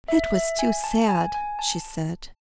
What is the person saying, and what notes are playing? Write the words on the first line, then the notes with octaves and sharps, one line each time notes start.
"It was too sad," she said.
E5
E5
G#5
A5
G#5
G#5
A5